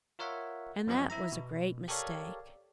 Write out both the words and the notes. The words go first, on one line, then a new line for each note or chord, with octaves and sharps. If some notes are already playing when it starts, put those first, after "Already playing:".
And that was a great mistake.
F4 A#4 C#5 E5 F#5
F#2 F3 C4 G4 D#5
E4 E5 A#5
B2
G4 A4 A#4 C#5 D5 F5